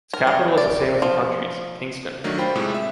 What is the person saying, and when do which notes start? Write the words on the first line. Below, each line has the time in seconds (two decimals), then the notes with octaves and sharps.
Its capital is the same as the country’s, Kingstown.
0.13 A#4
0.27 G3
0.58 D5
1.02 F3
2.24 D#3 F#3 A3 D4
2.38 F4 C5 G5 B5
2.56 A2 C3 G#3
2.74 E5